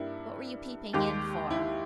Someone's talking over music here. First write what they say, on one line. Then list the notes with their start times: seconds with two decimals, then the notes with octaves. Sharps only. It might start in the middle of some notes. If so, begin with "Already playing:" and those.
"What were you peeping in for?"
Already playing: G2 G3 A#3 E4
0.93 D#2 D#3 G#3 G4
1.50 E4